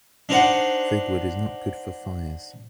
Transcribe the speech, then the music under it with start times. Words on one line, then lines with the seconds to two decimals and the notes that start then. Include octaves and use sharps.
Fig wood is not good for fires.
0.29 D4 D#4 C5 D5 F#5